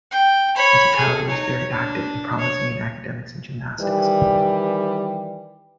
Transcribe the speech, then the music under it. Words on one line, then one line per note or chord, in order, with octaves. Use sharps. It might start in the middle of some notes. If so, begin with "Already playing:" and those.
As a child he was very active and promising in academics and gymnastics.
G5
C#5 B5
G#4 A4
D#4 C#5
D4
C#5
D#3 E3 G3